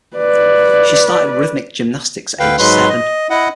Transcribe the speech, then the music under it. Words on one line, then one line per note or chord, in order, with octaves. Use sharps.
She started rhythmic gymnastics at age seven.
B4 D5
D2 D3 B4 F5 G5
G#2 F#3 G#3 B4 C6
D#5
E4 D#5 F#5